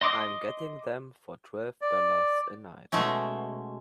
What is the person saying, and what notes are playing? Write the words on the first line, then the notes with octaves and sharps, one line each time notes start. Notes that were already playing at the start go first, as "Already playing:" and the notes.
I'm getting them for twelve dollars a night.
D#5 C6 D6 D#6
D5
B2 G#3 A3 C#4